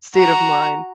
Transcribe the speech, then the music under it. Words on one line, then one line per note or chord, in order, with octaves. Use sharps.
state of mind.
F#4 A#5